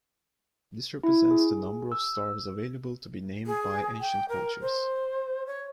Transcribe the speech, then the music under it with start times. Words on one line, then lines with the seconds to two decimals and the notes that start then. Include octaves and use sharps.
This represents the number of stars available to be named by ancient cultures.
1.03 E4
1.31 G#4
1.92 E6
3.47 G#4
4.01 G5
4.29 A#4
4.61 C5
5.47 C#5